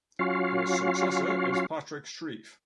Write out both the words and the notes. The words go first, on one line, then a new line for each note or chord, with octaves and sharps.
His successor is Patrick Streiff.
F#3 C#4 F4 F#4 F5